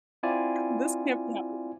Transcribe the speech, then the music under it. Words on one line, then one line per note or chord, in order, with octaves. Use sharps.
"This can't be happening."
C4 E4 F4 D5 G#5